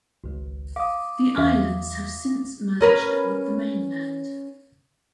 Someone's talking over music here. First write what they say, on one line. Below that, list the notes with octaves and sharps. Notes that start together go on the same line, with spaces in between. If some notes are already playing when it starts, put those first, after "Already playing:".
The islands have since merged with the mainland.
G#1 C#2
F5 D6 D#6
E2 F#4 E5 F5
C#4 A#4 B4